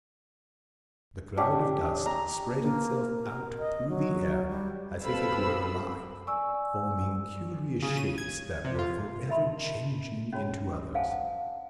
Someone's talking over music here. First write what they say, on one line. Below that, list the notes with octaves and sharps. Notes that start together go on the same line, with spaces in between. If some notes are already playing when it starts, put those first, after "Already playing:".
The cloud of dust spread itself out through the air, as if it were alive, forming curious shapes that were for ever changing into others.
C#4 D4 G4
A#5
A#3
A#4
D#5
F#3
G3
C4 A4 B4 F5 B5 E6
D5 G#5 C#6 E6
C#3
D#7
G#6
C3
F4
A#4 D#5 E5 A5 B5 C6
C#4 D4 F#4 C#5 B5
C5 F5 F#5 G#5 A5